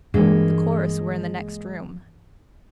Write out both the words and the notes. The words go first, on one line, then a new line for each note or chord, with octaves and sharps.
The chorus were in the next room.
G2 E3 G#3 A#3